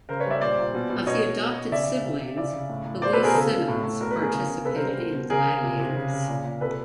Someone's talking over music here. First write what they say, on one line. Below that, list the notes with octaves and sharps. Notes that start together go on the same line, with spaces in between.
Of the adopted siblings, Louise Symonds participated in Gladiators.
C#3 A#4 C5
B4 C#5
G3 D5 E5
A#2 C5 D5
A#2
B2
B2
B2 C#5 D#5
B2
B2
B2
C#3 D5 E5
C#3
C3
C3
C#3 D5 E5
C#3
A2
A2
B2 C5 D5
A4 B4
B2
G#4 A#4
C#3 A4
C#3
A2
A2
B2 A#4
B4
B2
G#4 A#4
C#3
C#3
C3 A4 B4
A#4 C5
G3
A#4 C5
B2
B2
C#3 G#4 A#4
C#3
C3
C3
C#3
C#3
A#2
A#2
C3 A4 B4